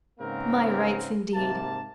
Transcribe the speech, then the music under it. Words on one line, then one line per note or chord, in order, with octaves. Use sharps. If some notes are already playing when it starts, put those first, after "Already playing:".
"My rights, indeed!"
G#2 C#3 A#3 C4 A#4 B4
G#2 C3 A#3 A5